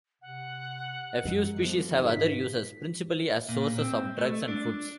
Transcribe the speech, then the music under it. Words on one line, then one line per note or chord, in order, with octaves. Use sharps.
A few species have other uses, principally as sources of drugs and foods.
C3 F#5
F#2 G#3
F3 G3 A3 B3
G#2 D3 G#4 A#4
G#2 F#4 B6
A#2
C4
A3
D4